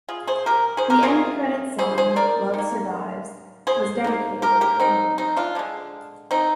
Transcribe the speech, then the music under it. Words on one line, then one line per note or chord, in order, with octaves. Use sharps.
The end credits song "Love Survives" was dedicated in her memory.
F4 G#4
G#4 C5
G4 A#4
G#4 C5
G4 A#4
C3 G3 A#3 F4 G#4
G#4 C5
G#4 C5
A#4 D5
D#3 A#3
G#4 C5
D#3 A#3
G4 A#4
G4 A#4
C4 D#4
C4 D#4
D4 F4
D3 G#3 D4
C4 D#4